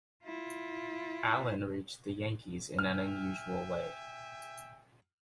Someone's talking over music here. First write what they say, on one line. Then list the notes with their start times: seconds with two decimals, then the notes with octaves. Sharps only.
Allen reached the Yankees in an unusual way.
0.24 E4 F4
2.79 E5 G5 G#5 F6